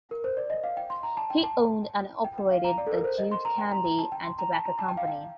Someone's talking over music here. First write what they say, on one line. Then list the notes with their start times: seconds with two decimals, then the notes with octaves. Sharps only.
He owned and operated the Jude Candy and Tobacco Company.
0.11 A#4
0.24 C5
0.37 D5
0.50 D#5
0.64 F5
0.77 G5
0.90 C6
1.03 A#5
1.17 A5
1.30 G5
1.44 A5
2.24 G5
2.38 G5
2.51 F5
2.64 A#5
2.78 D5
2.87 A4
2.92 A#4
3.04 C5
3.18 D#5
3.31 C6
3.45 A#5
3.58 G5
3.72 A#5
3.85 A#5
3.98 A5
4.12 G5
4.25 C6
4.39 A#5
4.52 A5
4.65 A#5
4.79 A5
4.88 G5
4.97 F5
5.07 G5